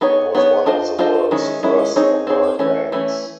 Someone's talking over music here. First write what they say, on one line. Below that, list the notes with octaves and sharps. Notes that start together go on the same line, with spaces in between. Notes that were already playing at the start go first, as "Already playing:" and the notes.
It was one of the world's first online banks.
B3 D#4 G#4 C#5
B3 D#4 G#4 C#5
D4 F4 A4 C5 D#5
D4 F4 A4 C5 D#5
D#3 G#3 C#4 E4
D#3 G#3 C#4 E4
C4 D#4 G#4 C#5
C4 D#4 G#4 C#5
E3 A3 C#4
E3 A3 C#4